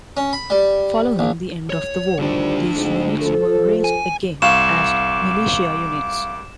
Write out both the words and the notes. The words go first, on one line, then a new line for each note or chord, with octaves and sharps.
Following the end of the war, these units were raised again as militia units.
C#4
B5
G3
A#1
C#5
D2 D#3 F3 G3 D4
F2 G#2
F3 A4
G#5
C2 F5 C#6 D6 E7